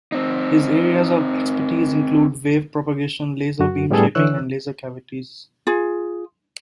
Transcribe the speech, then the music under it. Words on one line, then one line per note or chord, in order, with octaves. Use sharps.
His areas of expertise include wave propagation, laser beam shaping and laser cavities.
C4 D#4
F#2 F#4
A2 G3 B3 D4 G#4 A4
D3 E3 C#5 E6 F#6
F4 G#4